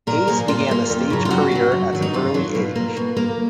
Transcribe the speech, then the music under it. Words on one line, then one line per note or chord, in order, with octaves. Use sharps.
Hayes began a stage career at an early age.
A#2 A#4
F3 A#3 G#4
A#2 F4
F3 A#3
F2
C#3 F#3
F4
F2 F#4
C#3 F#3
F#2
D#3 F#3
D#4
F#2 F4
D#3 F#3
B2
A#3
B2
A#3